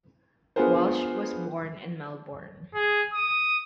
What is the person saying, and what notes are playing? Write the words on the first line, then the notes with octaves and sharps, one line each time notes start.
Walsh was born in Melbourne.
B3 D4 F4 G#4 A#4 C5
G#4
D#6